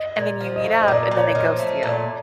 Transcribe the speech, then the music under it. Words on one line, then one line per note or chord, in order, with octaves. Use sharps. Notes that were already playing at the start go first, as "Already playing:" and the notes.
and then you meet up, and then they ghost you,
Already playing: D#5
A#2
F3
D#5
A3
D#5
A#2 D5
A#2
C#5
D5
F3 D#5
A3
A#2